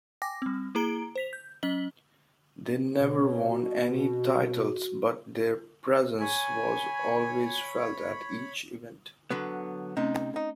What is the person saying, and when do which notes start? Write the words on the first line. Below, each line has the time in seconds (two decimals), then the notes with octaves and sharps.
They never won any titles but their presence was always felt at each event.
0.22 G5 G#5 D6 A#6
0.42 G3 C4
0.75 A#3 E4 G#4 A#5 D7 G7
1.16 C5 B6 F7
1.33 G6
1.63 F#3 C#4 D#5 B6 F#7 G7
3.00 B2 C#5
3.50 F#4
6.21 C#5 G#5 B5
9.30 D3 F#3 B3
9.97 C3 A3 C4 C#4 D#4
10.36 D#4